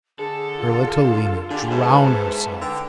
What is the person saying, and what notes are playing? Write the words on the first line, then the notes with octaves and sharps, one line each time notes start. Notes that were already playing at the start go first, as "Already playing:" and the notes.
Her little Lena drown herself!
D3 G#4 A4 A5
F4
D3 D4 G4 G#4
G#2 G#3 E4 B4 A5
D3 G5 E6